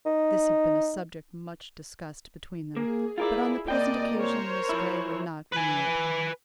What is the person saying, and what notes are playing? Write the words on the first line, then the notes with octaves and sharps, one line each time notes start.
This had been a subject much discussed between them, but on the present occasion Miss Grey would not renew it.
D#4
A#3 G#4
E4 F4 G#4 A#4 D5
C3 A#3 D5 D#5 G5
A#4 C5 C#5
F3 E4
B4 G#5